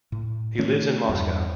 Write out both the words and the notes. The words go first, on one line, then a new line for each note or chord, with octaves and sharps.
He lives in Moscow.
A2
D#3 A3 C#4
E2 G2